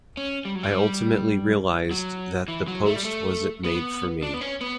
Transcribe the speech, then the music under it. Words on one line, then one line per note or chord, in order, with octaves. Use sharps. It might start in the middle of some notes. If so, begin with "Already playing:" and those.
I ultimately realized that that post wasn’t made for me.
C#4
G3
F#3
G3
F#3
E3
F#3
A3
G3
A3
B3
D4
B3
C#4
B3